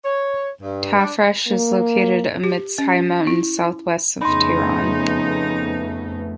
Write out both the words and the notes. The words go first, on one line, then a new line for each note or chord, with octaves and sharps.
Tafresh is located amidst high mountains southwest of Tehran.
C#5
G2
D4
A#3
G4
C#4
E4
F2 C#3 A3 B3 D#4 B5 C6